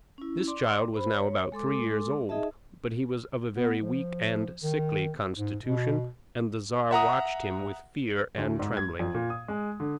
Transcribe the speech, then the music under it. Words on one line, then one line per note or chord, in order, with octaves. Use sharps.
This child was now about three years old, but he was of a very weak and sickly constitution, and the Czar watched him with fear and trembling.
C#4 E4
D5 C6 D6
C5 B5
C#5
G#3 A4 C6 D6
D#4 G#4 D#5 E5 A5
B3
F3
D#3
G#2
B2
E5 F#5 A#5 D#6
D2
G#2
G#6
F2
A#2
D#6
G#3
D3